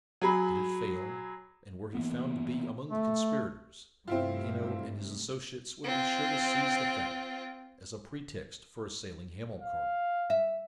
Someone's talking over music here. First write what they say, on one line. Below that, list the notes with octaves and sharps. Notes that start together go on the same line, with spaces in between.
Did it fail, and were he found to be among the conspirators, Hanno and his associates would be sure to seize the fact as a pretext for assailing Hamilcar.
F#3 G#4 B5
E3 A#3 B3
A3
G2 C3 A3 C4 E4 F4
C4 F4
F5
E5